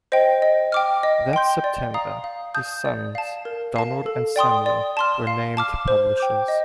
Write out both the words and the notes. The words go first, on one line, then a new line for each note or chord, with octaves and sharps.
That September his sons, Donald and Samuel, were named publishers.
C5 D#5 G5
D#5
G5 D6 F6
D#5
G5 C6 G6
D5
F5 A#5 D#6
F5
A5 D#6 G6
D5
F5 A5
A#4
F5 A5
A4
D5 G5 C6 D#6
D5
A5 C6 F6
F5
A5 D6 F6
C5
G5 D6 G6
D#5